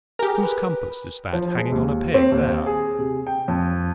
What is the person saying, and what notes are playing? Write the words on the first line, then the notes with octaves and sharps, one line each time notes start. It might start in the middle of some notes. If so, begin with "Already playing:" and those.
Whose compass is that hanging on a peg there?
G4 G#4 A#4
B4
F3
G#3
D#2
C4
D#2
G#4
C3
G5
F2